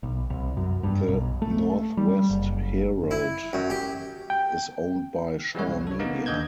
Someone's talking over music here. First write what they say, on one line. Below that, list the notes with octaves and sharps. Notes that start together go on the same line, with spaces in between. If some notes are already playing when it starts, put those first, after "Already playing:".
The Northwest Herald is owned by Shaw Media.
B1
C2
F#2
G2
B1
A3
G3
F#1
E4
F#2
G4
G5
E3 G3 G#3 B3 B4 C#5
C2
A4 C#5
A#3 B3 D#4
D#2 D3 D#5 G6 G#6